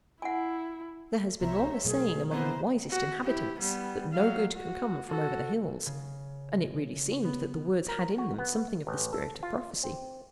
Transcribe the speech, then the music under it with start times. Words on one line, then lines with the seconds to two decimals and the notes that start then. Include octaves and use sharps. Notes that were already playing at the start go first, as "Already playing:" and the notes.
There has been long a saying among the wisest inhabitants, that "no good can come from over the hills"; and it really seemed that the words had in them something of the spirit of prophecy.
0.22 E4 F#5 G#5
1.42 C2 C3 B3 C5 C#5 E5 A#5
1.85 B2 D#3 F#3 A3 G#4
2.31 E3 A#3 B3 C5 A#5
2.91 F#4
3.23 E4 G4
3.59 G3 B3
4.13 F#3 F5
4.53 F#4
5.08 F#4 A4
5.86 C#3
7.24 B3
7.88 A#4
8.18 F#4
8.39 B3
8.87 A1
9.13 A4
9.43 F4
9.83 C4